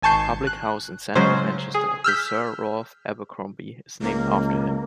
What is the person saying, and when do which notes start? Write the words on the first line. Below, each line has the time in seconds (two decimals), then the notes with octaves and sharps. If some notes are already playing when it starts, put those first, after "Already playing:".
A public house in central Manchester, the 'Sir Ralph Abercromby', is named after him.
0.02 G#1 G#5 A5 C#6 G6 C7
0.47 F#6
1.15 C#3 F#3 G#3 C#4 C5
1.74 G#4
2.04 E6 F6 G6 B6
4.02 C#2 A#3